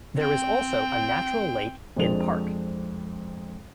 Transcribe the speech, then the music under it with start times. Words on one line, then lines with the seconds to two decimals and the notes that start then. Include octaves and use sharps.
There is also a natural lake in park.
0.18 C4 G5
1.96 F2 G#3 C4 D4 F7